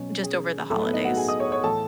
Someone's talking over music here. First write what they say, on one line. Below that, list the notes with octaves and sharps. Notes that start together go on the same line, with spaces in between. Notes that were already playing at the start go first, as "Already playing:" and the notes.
just over the holidays?
Already playing: B2 F#3 C#4
G#4
A2 F#3 A3 A4
B3 B4
D#4 D#5
F#4 F#5
G#4 G#5
D#5 D#6
C#5 C#6
C#5 C#6
A2 E3 A4 A5